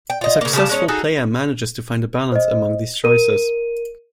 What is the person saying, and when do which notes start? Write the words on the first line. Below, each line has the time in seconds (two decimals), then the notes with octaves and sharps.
A successful player manages to find a balance among these choices.
0.10 G5
0.21 F4 D#5
0.41 C#3 A#3
0.53 C#3 F3 G3 A5
0.69 G#3 C#4 C#5
0.88 D#4 F#4 G#4 A4
2.32 C5 D#5
3.04 A#4 D#7